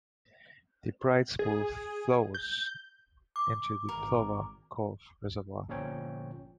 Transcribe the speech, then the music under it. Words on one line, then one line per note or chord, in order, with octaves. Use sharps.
The Bride's Pool flows into the Plover Cove Reservoir.
G#4
G6
D6
G#1 D#3 A#4
G1 A#2 F3 C#4 C#5 G5